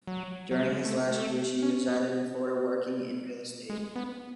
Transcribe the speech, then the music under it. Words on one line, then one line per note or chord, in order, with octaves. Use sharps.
During his last years he resided in Florida, working in real estate.
F#3
F#3
G#3
A3
A3
C#4
B3
G#3
B3